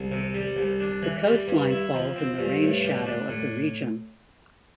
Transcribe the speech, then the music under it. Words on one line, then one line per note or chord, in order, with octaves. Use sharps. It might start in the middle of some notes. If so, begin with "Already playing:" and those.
The coast line falls in the rain-shadow of the region.
Already playing: C2
C3
G3
C2
D4
E3
G3
G2
E4
F3
C4
G2
A2
G3
D4
A2